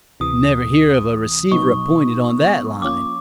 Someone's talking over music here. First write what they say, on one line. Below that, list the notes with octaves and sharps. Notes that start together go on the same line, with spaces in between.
Never hear of a receiver appointed on that line.
D2 C3 E3 D#6
B2 F#3 B3 D#4 C#6
F3 A#3 C#4 F4 D6